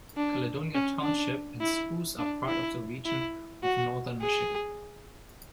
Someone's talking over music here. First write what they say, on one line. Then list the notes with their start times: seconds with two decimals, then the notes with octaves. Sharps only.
Caledonia Township and Spruce are part of the region of Northern Michigan.
0.17 D4
0.75 C#4
1.03 D4
1.61 E4
2.19 D4
2.48 E4
3.06 E4
3.63 F#4
4.22 G#4